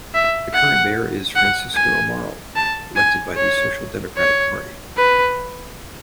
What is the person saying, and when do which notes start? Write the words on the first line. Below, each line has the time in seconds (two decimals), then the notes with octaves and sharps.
The current Mayor is Francisco Amaral, elected by the Social Democratic Party.
0.15 E5
0.54 F#5
1.36 F#5
1.75 G#5
2.56 A5
2.96 G#5
3.36 C#5
4.18 C#5
4.97 B4